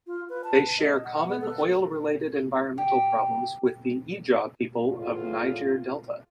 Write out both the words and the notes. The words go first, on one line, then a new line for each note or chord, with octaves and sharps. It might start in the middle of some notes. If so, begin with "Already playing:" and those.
They share common oil-related environmental problems with the Ijaw people of Niger Delta.
F4
B4
A5
D#5
F#5
B3
A4
G4
E2 A2 F4